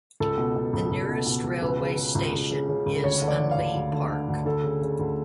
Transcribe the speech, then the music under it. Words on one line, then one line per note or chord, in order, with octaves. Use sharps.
The nearest railway station is Unley Park.
C#2 A4
B2
B2
C#2
C#2
B2
B2
C#2
C#2 B4
C#3
C#3
C#2
C#2
C#3
C#3
C#2
D2 C#5
D3
D5
D3
F5
D2
D2
D3
D3
D2
D2 A4
C#3
C#3
D2